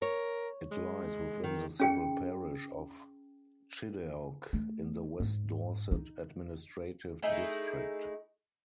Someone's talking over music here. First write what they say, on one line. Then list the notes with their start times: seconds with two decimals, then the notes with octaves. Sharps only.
It lies within the civil parish of Chideock in the West Dorset administrative district.
0.02 A#4 C#5
0.71 G#3
1.44 D#3
1.80 C#4 G#4 G5
4.53 A3
5.20 G#2
5.91 D#4
7.23 A3 D#4 E4 G#4